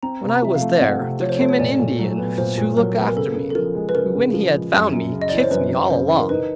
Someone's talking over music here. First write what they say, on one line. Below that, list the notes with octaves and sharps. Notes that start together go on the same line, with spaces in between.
When I was there, there came an Indian to look after me, who when he had found me, kicked me all along.
C4 A#5
C3
A#5
F3 E5
F5
A3
F5
C4 F#5
C3
F3 C#5
C5
C#5
A3
C#5
A#2 D5
A#2
F#3
B3
A#2 C5
A#2
F#3 A#4
B3
A#4
C#3 A4
C#3
A4
F3 A#4
G#3
B4
C#3 A#4
C#3
F3
G#3
F#2
F#2
C#3
D#5
D5
E3
C#5
C5
F#2 B4
F#2
C#3 C5
E3
A#4
D#4 B4